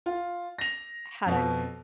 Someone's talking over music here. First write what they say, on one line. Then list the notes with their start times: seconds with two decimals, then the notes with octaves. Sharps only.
had I
0.06 F4
0.58 A#6 F7
1.26 F2 B2